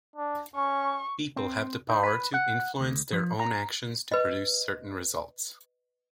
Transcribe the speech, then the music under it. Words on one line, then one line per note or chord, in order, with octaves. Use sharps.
People have the power to influence their own actions to produce certain results.
D4
C#4 C#6
C4
D#4
B4
F#5
D2
F3
A#5
B4 D#5